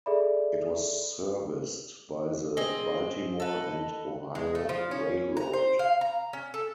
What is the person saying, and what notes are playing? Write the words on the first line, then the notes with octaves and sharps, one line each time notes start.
It was serviced by the Baltimore and Ohio Railroad.
G#4 A4 D5 E5 B5
C4 G#4 D#5
A4 B4
G#3
A3
F3
C#4
A#5
C5
F5
A#5
C#4
A4